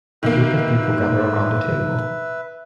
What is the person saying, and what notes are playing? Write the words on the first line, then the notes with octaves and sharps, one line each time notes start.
A group of people gather around a table.
D#3 A#3 B4 E5